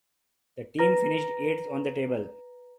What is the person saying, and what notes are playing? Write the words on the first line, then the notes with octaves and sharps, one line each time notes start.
The team finished eighth on the table.
B4 A#5 A#6